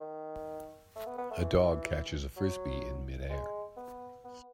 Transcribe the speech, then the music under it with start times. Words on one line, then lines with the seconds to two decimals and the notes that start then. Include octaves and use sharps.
A dog catches a Frisbee in midair.
0.01 D#3
0.96 A3
1.06 B3
1.18 B3
1.31 A3
1.42 E3
2.37 F#3
3.30 G#3
3.77 B3
4.24 B3